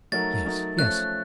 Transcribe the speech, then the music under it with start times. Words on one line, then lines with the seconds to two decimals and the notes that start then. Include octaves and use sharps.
"Yes, yes."
0.12 F#3 A3 D#4 F#4 A#4 A6
0.46 F#3 A3 D#4 F#4 A#4
0.78 F3 A3 C#4 F#6